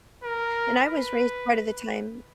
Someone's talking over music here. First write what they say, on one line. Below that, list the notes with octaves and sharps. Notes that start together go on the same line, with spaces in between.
And I was raised part of the time
A#4
B4